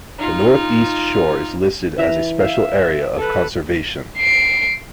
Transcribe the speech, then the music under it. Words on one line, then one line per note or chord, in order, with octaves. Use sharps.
The North-East Shore is listed as a Special Area of Conservation.
D#4 F4
E3 E5 A#5
E5 F5
A4 B4
C7 D7